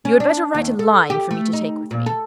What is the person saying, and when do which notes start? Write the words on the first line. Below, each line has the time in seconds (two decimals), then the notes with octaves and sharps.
You had better write a line for me to take with me.
0.05 C#4
0.20 D4
0.55 D#2
0.79 A4
1.10 G4
1.31 A3
1.53 D#4
1.91 A#2
2.06 A4